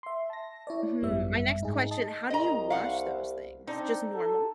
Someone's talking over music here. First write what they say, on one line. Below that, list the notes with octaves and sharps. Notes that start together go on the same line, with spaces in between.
Hmm. My next question- how do you wash those things? Just normal?
E5 C6
A5 A#6
E4 C#5 D5
G#1 F#2 G3 B3 E5
G#2 D#4 G#4
D#5 A5
C2 D#5 A#5
F5 F#5
C4 D4 D#4 D5
A4